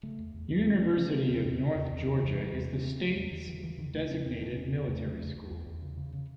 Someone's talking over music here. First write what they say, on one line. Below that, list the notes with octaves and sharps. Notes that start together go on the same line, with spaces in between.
University of North Georgia is the state's designated military school.
C#3 A3
E2
E2
E2
A3
C#3 C4
C#3 C#4
C#3 C#4
C#4
C#3 C4
E2
E2
C#3
E2
E2
E2
D#3
E2
E3
E2 F#3
E2 G#3
C#3 C#4
C#3 C4
E2 A3
A3
E2 G#3
E2 D#3
C#3 E3
C#3 E3
E2 D#3
C#3 A3
E2 C#4
E2 C4
C#3 A3
E2 C#4
C#3 C4
E2 A3
C#3
E2
E2
E2
E2
C#3
C#3
C#3